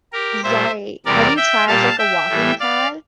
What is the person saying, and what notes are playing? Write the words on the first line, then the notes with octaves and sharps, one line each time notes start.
Right. Have you tried, like, a walking pad
G4 A#4
A#2 G3 C5 E5
E2 C3 G3 A#4 D5
E5 G5
A#2 G3 F5 A5
E5 G5
A2 E3 G3
D5 F5